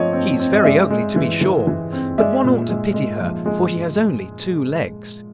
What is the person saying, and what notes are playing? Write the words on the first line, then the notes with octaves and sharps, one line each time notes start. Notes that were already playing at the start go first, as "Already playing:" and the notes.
She is very ugly to be sure, but one ought to pity her for she has only two legs.'
Already playing: F3 A3 C4 C#5 D#5
C4
C4
D#5
G#3 D5 E5
G#3
E3
E3
E3
C4
G#3 D5 E5
A#2
G#3
G#3
F3
G#3